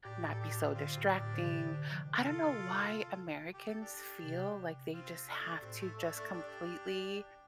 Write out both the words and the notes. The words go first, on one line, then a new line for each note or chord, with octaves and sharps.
not be so distracting. I don't know why Americans feel like they just have to just completely
A2 D4 G4
A2 A4
D4 G4
A2
D3 C4 F4
A2
D4 G4
A2
D3
C3
D3
F3
C3 F4 A4
G4
A4
D4 G4
C3
C4 F4
A3 D4
A2 C4
A3
A3 D4
A3 D4
D4 G4